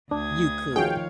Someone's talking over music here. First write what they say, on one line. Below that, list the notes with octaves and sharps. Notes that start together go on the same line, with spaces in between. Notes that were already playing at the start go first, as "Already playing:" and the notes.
You could.
D2 D4 D#6 G#6
D#3 F3 F#4 G#4 C#5 F5 G5